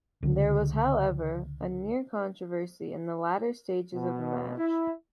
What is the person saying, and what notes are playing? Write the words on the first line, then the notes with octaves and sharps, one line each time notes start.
There was, however, a near controversy in the latter stages of the match.
C#2 D3
B2
E4